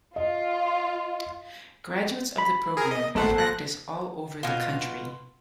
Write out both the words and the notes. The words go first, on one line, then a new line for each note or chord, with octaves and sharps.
Graduates of the program practice all over the country.
F4 D#5
B5
G#4 A#4
D#5
G#1 A3 A#3 A4 C5 F#5
F#6 A#6
B2 F4